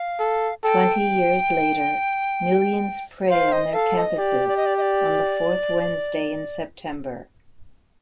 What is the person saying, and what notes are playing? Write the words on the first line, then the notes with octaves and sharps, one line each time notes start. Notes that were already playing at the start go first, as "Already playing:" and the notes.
Twenty years later, millions pray on their campuses on the fourth Wednesday in September.
Already playing: F5
A4
A4 G5
C5 F5
D#5
A4 F5
D#5
G4 D5
D5
D#5
D5
D#5
D5